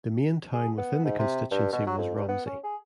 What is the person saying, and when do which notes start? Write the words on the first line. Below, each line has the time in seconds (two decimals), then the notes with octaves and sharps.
The main town within the constituency was Romsey.
0.53 G#4
0.78 B3
1.05 G#2
1.18 C3
1.51 G2
1.73 B2
1.87 F#3
1.98 F2
2.15 G2
2.28 B3
2.46 C#4
2.64 G#4